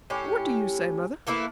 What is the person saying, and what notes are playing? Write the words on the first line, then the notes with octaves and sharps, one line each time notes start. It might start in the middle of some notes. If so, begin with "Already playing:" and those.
"What do you say, mother?"
A2 C#4 G4
A3 A#3 E4 B4